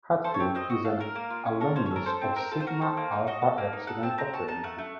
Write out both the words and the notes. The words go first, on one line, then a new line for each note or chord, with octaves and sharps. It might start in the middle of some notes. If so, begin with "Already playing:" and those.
Hatfield is an alumnus of Sigma Alpha Epsilon fraternity.
A4 C5
C#5
C4
C4 D#5
F#4 D#5
A4 F5
A#3 A#4
A#3
F4
C#4
A4 A#4
C#4 C5
C#5
A4
A#4
A4 C5
C4
C4 A#4
F4 A4
C5
F#4 A#4
A4 C5
A#3
D#4
F#4 D#5
A4
A#3
D#4
A4 F#5
C4 A5
C4 A#5
F#4 A5
D#4 A5
A3 F#5
A3